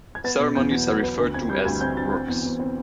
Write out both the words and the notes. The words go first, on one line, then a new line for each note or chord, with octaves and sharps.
Ceremonies are referred to as "works".
G#6
B3 A6
B2
E2 G6
F#3 G#6
F#3
B3
D2
C4 G#6
G3 G6
D2 G#6
C4 G6
D3 A6
C4
E2
E2
C4